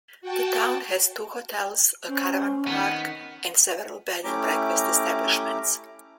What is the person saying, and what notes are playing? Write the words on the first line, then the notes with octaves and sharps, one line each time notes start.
The town has two hotels, a caravan park, and several bed and breakfast establishments.
F#4 G5 A5
C4 C#4
D#3 B3 F#5
A3 C#4 E4 G4 A#5 D6